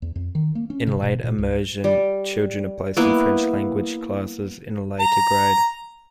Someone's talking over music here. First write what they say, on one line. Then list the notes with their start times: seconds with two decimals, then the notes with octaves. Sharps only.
In "late immersion", children are placed in French-language classes in a later grade.
0.02 E2
0.16 F2
0.35 D#3
0.55 A#3
0.70 C#4
0.87 C3
1.02 B2
1.24 A#2
1.38 C#2
1.84 G3
2.97 A#3 B3 E4 B4
5.00 A#5